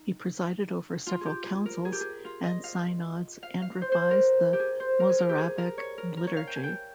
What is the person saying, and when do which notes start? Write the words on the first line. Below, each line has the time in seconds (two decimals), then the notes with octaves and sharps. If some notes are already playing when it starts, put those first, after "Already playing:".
He presided over several councils and synods and revised the Mozarabic liturgy.
Already playing: D#4
1.07 F4
1.21 G4 G#4
1.45 G#4
1.66 A#4
1.85 G#4
1.92 G4
2.01 G#4
2.25 F4
2.44 D#5
2.64 F5
3.43 F5
3.62 F5
3.82 C5
3.92 C5
4.11 A#4
4.53 G4
4.60 G#4
4.80 C5
5.00 A#4
5.09 G#4
5.19 A#4
5.29 G4
5.38 G#4
5.58 A#4
5.78 C#5
5.98 A#4
6.17 A#4
6.27 C#5
6.37 F5
6.47 G5
6.56 G#5
6.63 G5